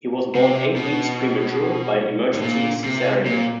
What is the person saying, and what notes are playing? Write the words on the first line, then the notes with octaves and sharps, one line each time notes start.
He was born eight weeks premature by emergency Caesarean.
C3
B2
A2
A#2
C3
A#2